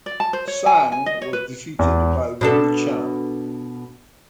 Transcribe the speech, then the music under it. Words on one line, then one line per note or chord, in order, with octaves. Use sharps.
Tsang was defeated by Winnie Chan.
D5
A5
C5
C#5
G#5
G#5
D#5
C#5
B4
E2
B2 D4 A4